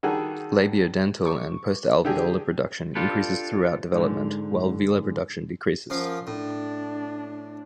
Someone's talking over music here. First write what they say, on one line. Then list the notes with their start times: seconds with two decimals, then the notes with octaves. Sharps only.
Labiodental and postalveolar production increases throughout development, while velar production decreases.
0.03 D#3 G3 D4 F#4 G#4 A4
1.25 C#6 D6
2.05 D3 G4 G#4
2.95 D4 F4 G4 A4 B4
3.93 G#2 D3
5.90 F#2 F3 F5
6.27 A2 D4